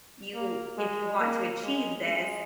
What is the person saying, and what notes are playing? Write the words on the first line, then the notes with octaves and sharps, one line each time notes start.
you if you want to achieve this,
A#3
G#3
A#3
G#3
G#3